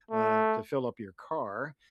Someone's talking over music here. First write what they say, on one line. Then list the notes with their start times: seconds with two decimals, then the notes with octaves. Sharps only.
uh, to fill up your car,
0.11 A3